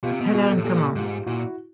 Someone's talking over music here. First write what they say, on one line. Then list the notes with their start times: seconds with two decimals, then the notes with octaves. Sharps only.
Eller in command.
0.03 B2 F4 G4
0.12 C3
0.20 B2
0.34 F#4 G#4
0.49 G4 A4
0.58 A2
0.64 A#2 G4 A4
0.95 G#2 F4 G4
1.26 A#2 E4 F#4